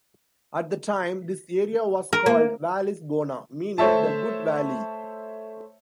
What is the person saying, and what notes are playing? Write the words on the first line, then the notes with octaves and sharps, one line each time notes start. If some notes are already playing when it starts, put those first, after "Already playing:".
At the time, this area was called "Vallis Bona", meaning "the good valley".
A#4
A#3
A3 C5 C#5 E5 A5